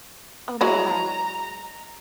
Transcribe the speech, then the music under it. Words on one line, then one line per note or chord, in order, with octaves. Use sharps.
Oh my god,
F#3 G#3 E4 A#5